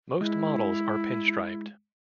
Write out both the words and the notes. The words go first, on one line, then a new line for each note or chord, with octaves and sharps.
Most models are pinstriped.
G#3 E4